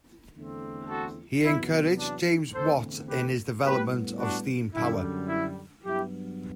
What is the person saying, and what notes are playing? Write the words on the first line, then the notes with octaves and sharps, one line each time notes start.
He encouraged James Watt in his development of steam power.
E2 D3 A3 C4
F#4 A4
E2 C3 F#3 B3 E4
D4
E2 D3 A3 C4 A4 C5
G4 B4
A2 G3 B3 G4 B4
D4 F#4
F#2 D3 G3 E4
E4
G2 F#3 B3 E4 G4